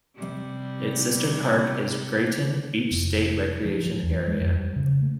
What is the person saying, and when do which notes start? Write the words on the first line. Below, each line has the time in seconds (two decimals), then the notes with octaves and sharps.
Its sister park is Grayton Beach State Recreation Area.
0.16 C3 G3
2.91 F1
3.65 F3
3.86 F3
4.03 E2
4.27 G#3
4.41 F2
4.56 G3
4.76 C#3
5.02 A3